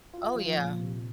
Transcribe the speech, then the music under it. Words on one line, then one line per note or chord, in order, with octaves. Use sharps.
Oh, yeah.
F4
F3
A#2
C3